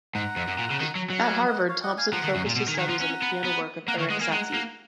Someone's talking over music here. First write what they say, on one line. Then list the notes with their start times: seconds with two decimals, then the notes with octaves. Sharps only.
At Harvard, Thomson focused his studies on the piano work of Erik Satie.
0.15 G#2 F#5 A#5
0.36 F2
0.48 F#2
0.58 A#2
0.70 C#3
0.80 D#3
0.95 F#3
1.10 F#3
1.24 F5 G#5
1.47 D#5 F#5
1.69 C#5 F5
1.83 D#5 F#5
1.98 F5 G#5
2.12 F3 F#5 A#5
2.23 D#3
2.35 F#2
2.46 A#2
2.57 B2
2.68 D#3
2.74 G#5
2.78 D#3 F#5 A#5
2.89 F3
3.01 C#4
3.22 B3
3.44 B3
3.88 A#3 F#5 A#5
3.99 D#3 C#5 F5
4.10 G#3 D#5 F#5
4.21 A#3 F5 G#5
4.32 G#3 F#5 A#5
4.54 A#3